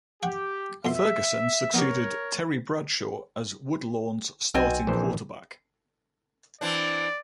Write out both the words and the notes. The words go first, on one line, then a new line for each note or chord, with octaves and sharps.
Ferguson succeeded Terry Bradshaw as Woodlawn's starting quarterback.
G4 F#5 G5 C#6
F2 B2 E5 C6
B3 D#4 G4 A#4 C#5
B1 B2 C4 G#5
A#1 E3 G#4 C5
E3 C4 D4 D5